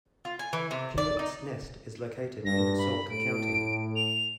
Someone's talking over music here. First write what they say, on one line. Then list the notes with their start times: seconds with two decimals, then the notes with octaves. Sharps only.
Pewits Nest is located in Sauk County.
0.25 F4
0.39 G#5
0.53 E3
0.71 C3
0.98 D5
1.19 D#4
2.45 G2 A#6
2.78 B5
3.10 A2 D7
3.95 F7